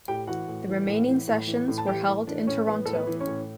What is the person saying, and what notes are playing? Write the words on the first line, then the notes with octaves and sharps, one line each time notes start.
The remaining sessions were held in Toronto.
A2 G4 G5
E3 F#4 F#5
A2
E3
A2
E3
A2
E3
A2
A5
E3 G4 G5
A2
E3 D4 D5
A2 C#4 C#5
E3 B3 B4
A2 A4
B3 B4
E3
C#4 C#5
A2